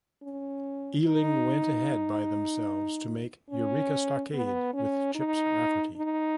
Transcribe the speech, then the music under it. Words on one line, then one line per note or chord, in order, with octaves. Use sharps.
Ealing went ahead by themselves to make "Eureka Stockade" with Chips Rafferty.
C#4
D#4
C#4
B3
C#4
D#4
D#4